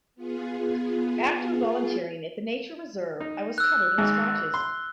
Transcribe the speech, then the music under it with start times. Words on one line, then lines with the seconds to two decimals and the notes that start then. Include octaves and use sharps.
After volunteering at the nature reserve I was covered in scratches.
0.15 B3 F4 G#4
3.20 D#4
3.58 E6 F#6
3.98 G#1 G#2 G#4
4.54 C6